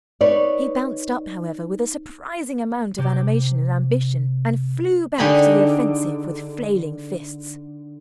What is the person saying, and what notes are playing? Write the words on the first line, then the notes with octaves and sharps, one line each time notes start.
He bounced up, however, with a surprising amount of animation and ambition, and flew back to the offensive with flailing fists.
D#4 B4 C#5 D5
C3 G4
D3 D#4 G4 G#4 D#5 B5